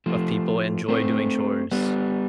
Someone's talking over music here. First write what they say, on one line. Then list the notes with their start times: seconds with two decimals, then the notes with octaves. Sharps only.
of people enjoy doing chores.
0.06 F3 A3
0.88 A3 C4
1.71 G3 B3